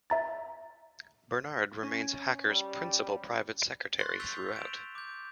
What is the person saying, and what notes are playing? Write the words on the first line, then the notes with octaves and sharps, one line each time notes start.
Bernard remains Hacker's principal private secretary throughout.
E5 A#5 A6
C#4
G3
C6 C#6 F#6 A6 A#6 C7
C#6 E6 G6 B6 F7 G7
D7 E7 F7
D6 G6